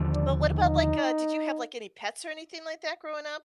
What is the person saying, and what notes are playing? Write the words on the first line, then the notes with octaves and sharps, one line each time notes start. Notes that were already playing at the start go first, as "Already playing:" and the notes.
But what about like, uh did you have like any pets or anything like that growing up?
Already playing: D#2 D3 F3
D4
D#4